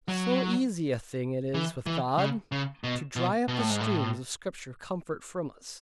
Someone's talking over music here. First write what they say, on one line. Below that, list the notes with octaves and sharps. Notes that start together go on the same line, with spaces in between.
So easy a thing it is with God to dry up the streams of Scripture comfort from us.
F#3
E3
E3
C#3
C#3
B2
B2
B2
A2
G#2
A2